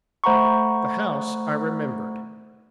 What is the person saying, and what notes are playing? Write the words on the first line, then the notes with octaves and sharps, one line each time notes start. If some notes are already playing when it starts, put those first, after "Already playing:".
The house I remembered.
A3 C5 F#5 A#5 B5 C#6